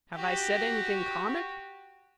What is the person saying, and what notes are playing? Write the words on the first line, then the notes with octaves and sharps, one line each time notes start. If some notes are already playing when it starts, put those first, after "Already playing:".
"Have I said anything comic?"
F#4 G4